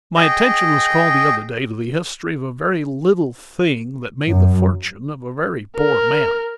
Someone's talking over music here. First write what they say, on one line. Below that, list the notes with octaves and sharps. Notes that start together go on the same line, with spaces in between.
My attention was called the other day to the history of a very little thing that made the fortune of a very poor man.
G#4 D#5 G5
F#2
A#4